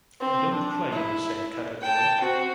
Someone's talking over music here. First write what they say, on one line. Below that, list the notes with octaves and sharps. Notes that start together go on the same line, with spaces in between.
Don’t play in the same category.
C4
D4
E4
G5 A5
C4 F#4